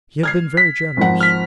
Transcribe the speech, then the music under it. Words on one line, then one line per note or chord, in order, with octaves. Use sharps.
He had been very generous.
F6 G#6 C7
B6
G#1 F3 F#5
F6 B6